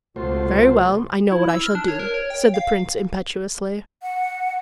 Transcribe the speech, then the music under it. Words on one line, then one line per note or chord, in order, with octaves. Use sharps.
"Very well, I know what I shall do," said the prince, impetuously.
C#2 C3 A3 F4 F#4 C5
E4
E6
F6
D4
C#5
A#4
C#5
G5
F5
F#5